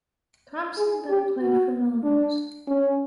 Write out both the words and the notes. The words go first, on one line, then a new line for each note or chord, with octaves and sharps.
Thomson then played for Melrose.
G#4
G4
F#4
D4
C#4